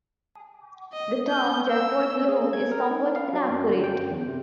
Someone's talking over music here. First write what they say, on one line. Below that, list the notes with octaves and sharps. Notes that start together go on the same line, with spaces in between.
The term "Jacquard loom" is somewhat inaccurate.
D#5
G6
E6
G#4
G#6
A#4
D#4
F5
F#3
F#2
D3
G5
F#2
E2
C3